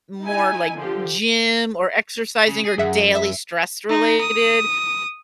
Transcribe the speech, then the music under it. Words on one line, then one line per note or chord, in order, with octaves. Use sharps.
more like gym or exercising or daily stress related,
D#4 E4 G#5
D3 F3 G4
C#3
G#4
F#2 G#4 E5 F#5
E5
D#4
D#6